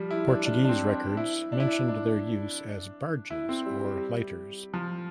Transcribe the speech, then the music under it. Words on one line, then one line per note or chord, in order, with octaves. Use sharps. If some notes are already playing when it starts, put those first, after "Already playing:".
Portuguese records mentioned their use as barges or lighters.
Already playing: F3 G3
E4
D4
D4
D4
C4
D4
E4
D4
E4
D4
D4
E4
C4
G3
G3
F3